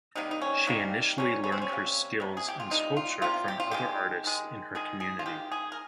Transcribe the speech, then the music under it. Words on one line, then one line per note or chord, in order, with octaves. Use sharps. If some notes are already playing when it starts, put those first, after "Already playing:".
She initially learned her skills in sculpture from other artists in her community.
C3 D#3 G3 A#3 D#4
D#4
C#4
C3 D#3 G3 A#3
C3 D#3 G3 A#3 C#4
C#4
C4
C#4
C3 G3 A#3
C3 G3 A#3
G#4
G4
F4
C3 G3 A#3 D#4
F4
C3 G3 A#3 F4
G4
F4
D#3 G#3 G4
D#3 G#3
D#3 G#3 G#4
G#4
F4
D#3 G#3 G4
G#4
A#4